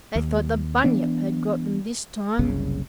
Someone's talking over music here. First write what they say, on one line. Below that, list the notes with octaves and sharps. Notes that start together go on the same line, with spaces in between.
They thought the Bunyip had got them this time.
D#2
E3 B3 D4
F#1 C2 C#3